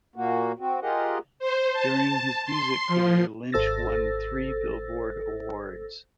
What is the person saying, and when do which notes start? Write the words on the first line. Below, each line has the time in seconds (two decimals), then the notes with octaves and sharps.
During his music career, Lynch won three Billboard awards.
0.16 A#2 A#3 F#4
0.59 C4 F#4
0.82 F4 G4 G#4 A#4 D#5 F#5
1.39 C5
1.73 A5
2.45 C6
2.88 F3
3.52 G#1 A4 C5 E6 A6 A#6